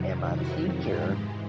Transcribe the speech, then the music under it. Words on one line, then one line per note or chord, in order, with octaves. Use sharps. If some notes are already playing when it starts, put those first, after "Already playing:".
and my teacher
Already playing: F2 C3 D#3 F#3
E4 F#4
G#2 E3 G#3 F4 G4